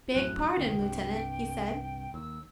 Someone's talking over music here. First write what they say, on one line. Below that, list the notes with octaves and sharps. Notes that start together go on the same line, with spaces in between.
"Beg pardon, lieutenant," he said.
A#1 F#2 A2 F#6
F1 D2 D#3 G5
C2 G2
D#2 E6